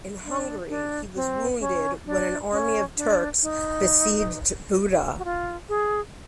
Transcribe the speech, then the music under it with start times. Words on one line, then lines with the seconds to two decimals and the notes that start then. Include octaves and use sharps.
In Hungary he was wounded when an army of Turks besieged Buda.
0.24 D4
0.69 D4
1.15 C4
1.60 C#4
2.06 D4
2.52 C#4
2.97 D4
3.42 D#4
5.19 F#4
5.25 F4
5.69 G#4